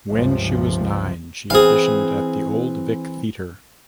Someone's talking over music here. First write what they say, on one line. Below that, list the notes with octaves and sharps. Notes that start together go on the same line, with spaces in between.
When she was nine, she auditioned at the Old Vic Theatre.
C#2 G2 C3 F3
E3 C4 G#4 F5